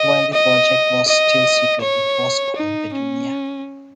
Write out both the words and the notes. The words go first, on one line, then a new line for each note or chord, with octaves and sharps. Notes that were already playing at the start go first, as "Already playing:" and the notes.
While the project was still secret, it was called "Petunia".
Already playing: D#5
D#5
D#5
C#5
D#4
C#4